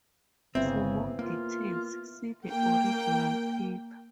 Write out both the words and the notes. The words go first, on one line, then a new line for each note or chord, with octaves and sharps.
For more details see the original paper.
G1 C#3 B3 C4 E4 E5
A#3 F4
A#3 G5